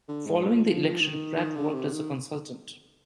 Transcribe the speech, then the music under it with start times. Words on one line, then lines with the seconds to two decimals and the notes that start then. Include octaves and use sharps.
Following the election, Pratt worked as a consultant.
0.08 D3
0.26 G#2
0.45 A#2
0.64 F3
1.00 D#3
1.37 D#3
1.56 D3
1.74 C3
1.92 D#3